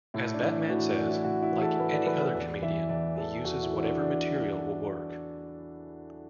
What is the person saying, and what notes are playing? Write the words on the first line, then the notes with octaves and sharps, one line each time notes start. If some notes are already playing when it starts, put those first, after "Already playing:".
As Batman says, "Like any other comedian, he uses whatever material will work".
A2 E4
D4
E3 E4
A2 F#4
E3 D5
E4
A2 F#4
E4
E3
A4
A2 B4
D5
E3 B4
B4
E2 D5
E3 E5
E2 D5
E3 A4
E2 F#4
E4
E3
D4
E2 D4